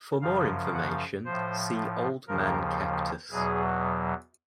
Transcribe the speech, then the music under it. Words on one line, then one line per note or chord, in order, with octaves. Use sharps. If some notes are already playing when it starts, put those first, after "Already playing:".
For more information see Old-Man Cactus.
F#2 C#3 F3 F5
F#5
A2 F3 C5
D#2 C#3 F3 A#4
E2 B2 F#3 G#4